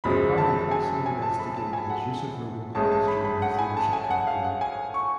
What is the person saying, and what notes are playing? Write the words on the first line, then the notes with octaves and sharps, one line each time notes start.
The party also investigated his use of robocalls during his leadership campaign.
F#1 F#2 F3 G#3 B5
A5
G#5
G#5
A5
B5
A5
G#5
F#5
A1 A2 G#3 A5
A5
B5
B5
F#5
G#5
A5
G#5
F#5
F5
F#5
G#5
C#6